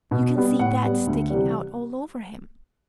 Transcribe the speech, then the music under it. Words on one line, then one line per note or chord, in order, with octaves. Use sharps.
You can see THAT sticking out all over him.
B2
G3 B3
A2 F#5
G3 B3
D2
C3 E3 G3